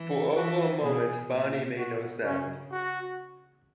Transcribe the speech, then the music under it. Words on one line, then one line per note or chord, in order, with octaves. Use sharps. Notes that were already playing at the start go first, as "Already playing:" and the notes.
For over a moment Bonnie made no sound.
Already playing: E3
E3 F#4
B2 G#4
A#2
B2 F#4
C#3 C#4
F#4